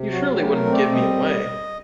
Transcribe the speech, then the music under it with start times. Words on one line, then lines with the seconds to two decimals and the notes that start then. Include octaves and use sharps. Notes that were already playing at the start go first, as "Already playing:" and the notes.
You surely wouldn't give me away?
Already playing: C3
0.11 F#3 F#4
0.32 G4
0.38 A3
0.52 A#4
0.65 C4
0.72 D5
0.92 G3 D#5